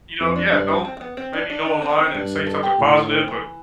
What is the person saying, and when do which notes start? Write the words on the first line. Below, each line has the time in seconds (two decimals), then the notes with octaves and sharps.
You know, yeah, don't maybe go online, and say something positive, but
0.20 F2
0.36 D4
0.52 G2 D4
0.68 C4
0.85 C4
0.97 C4
1.01 B3
1.17 C4
1.33 D4
1.50 D4
1.66 D4
1.82 C4
1.90 B3
1.98 C4
2.14 G2 D4
2.47 A4
2.63 G4
2.79 A2
2.96 F4
3.11 C4
3.28 E3